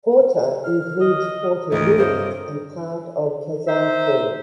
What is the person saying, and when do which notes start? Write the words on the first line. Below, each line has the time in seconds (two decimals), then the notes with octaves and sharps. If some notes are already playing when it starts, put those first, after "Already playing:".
Porter includes Porter village and part of Kezar Falls.
0.64 F6
1.01 D#5
1.72 D2 G#2 E3 A3 A#4 D#5
1.98 G2 C3 C5 C#5 D#5
3.68 D#4 C5 E5